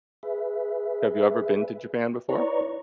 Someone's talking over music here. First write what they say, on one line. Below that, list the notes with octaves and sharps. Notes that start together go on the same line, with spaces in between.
Have you ever been to Japan before?
G#4 B4 E5
E4 B4 C#5 D5 A#5 C#6